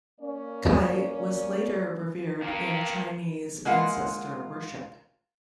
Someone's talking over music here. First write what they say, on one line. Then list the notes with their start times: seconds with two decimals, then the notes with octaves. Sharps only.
Cai was later revered in Chinese ancestor worship.
0.20 A#3 C#4 D5
2.39 G2 A#3
3.65 G#3 A#3 F4 F#5